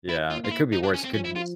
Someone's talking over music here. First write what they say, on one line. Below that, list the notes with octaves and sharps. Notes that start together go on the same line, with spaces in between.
Yeah, it could be worse, it could be s
E4
A#3 F4
F4
E4
D#4
D4
C#4
C4
F3 C#4
E4
F4